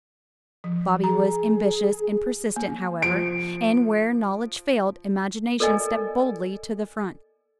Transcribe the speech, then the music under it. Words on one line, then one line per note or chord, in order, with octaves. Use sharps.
Bobby was ambitious and persistent, however, and where knowledge failed, imagination stepped boldly to the front.
F3
G#4 A#5
A#3
F3 D7
A4 A#4 D5 D#5 G#5